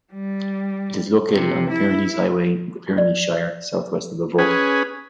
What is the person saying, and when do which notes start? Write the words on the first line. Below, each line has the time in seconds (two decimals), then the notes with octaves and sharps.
It is located on the Pyrenees Highway in the Pyrenees Shire, south-west of Avoca.
0.13 G3
1.31 C3
1.71 E4
2.98 D5
4.38 C#4 G#4 B4